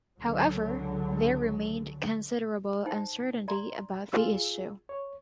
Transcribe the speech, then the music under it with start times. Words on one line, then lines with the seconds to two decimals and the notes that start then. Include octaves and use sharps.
However, there remained considerable uncertainty about the issue.
0.20 C#2 D3 F#3
2.86 D#4 C5 G5
3.48 D5 A#5 C6
4.12 F4 G#4 E6
4.89 C#5